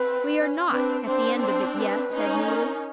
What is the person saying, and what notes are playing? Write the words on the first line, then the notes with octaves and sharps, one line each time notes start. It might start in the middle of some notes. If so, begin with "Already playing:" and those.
"We are not at the end of it yet," said Neelie.
Already playing: C4 B4
C#4
C4 D4 B4
C4 D4 C5
C5
B4
C#4 D#4
A#4